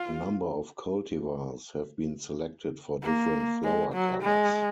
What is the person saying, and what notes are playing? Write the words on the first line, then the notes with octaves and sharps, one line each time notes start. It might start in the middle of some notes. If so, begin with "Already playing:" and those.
A number of cultivars have been selected for different flower colours.
Already playing: F4
A#3
G#3
F#3
G#3